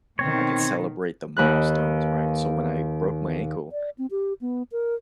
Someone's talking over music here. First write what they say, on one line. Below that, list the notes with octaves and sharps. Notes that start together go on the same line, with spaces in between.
I could celebrate the milestones, right? So, when I broke my ankle,
B2 D#3 C4 C#5
D#2 B4 F#6
D5
C4
G4
B3
A#4